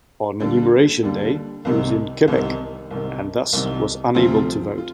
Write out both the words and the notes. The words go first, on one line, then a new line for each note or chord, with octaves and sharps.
On enumeration day he was in Quebec and thus was unable to vote.
D#2 D3 G3 D4
D#2 D3 G3 D4
C2 C3 D#3
C2 C3 D#3
C2 C3 D#3
C2 C3 D#3
D2 C3 F3 C4 F4
F4